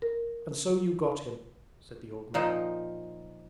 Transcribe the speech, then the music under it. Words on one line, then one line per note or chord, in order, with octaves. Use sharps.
'And so you got him!' said the old man.
A#4
A#2 F3 D#4